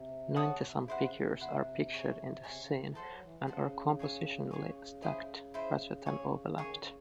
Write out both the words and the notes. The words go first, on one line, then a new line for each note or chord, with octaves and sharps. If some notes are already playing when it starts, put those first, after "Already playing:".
Ninety-some figures are pictured in this scene, and are compositionally stacked rather than overlapped.
Already playing: C3
C#3 C#5 F#5 A5 D#6
C3
C3
C#3
C3 E4 C5 F#5
C#3
D#3
C3
E4 C5 F#5
G#4 C#5 G#5
C3 G#4 C#5 G#5
C#3
D#3
E3
F#3 A4 C5 F#5 C6
F#3
E3
C#3 A4 C5 F#5 C6
G#4 C#5 G#5 C#6
C#3 G#4 C#5 G#5 C#6
E4 G#4 C5
E4 G#4 C5
G#4 C#5 G#5 C#6
D#3 G#4 C#5 G#5 C#6
C#3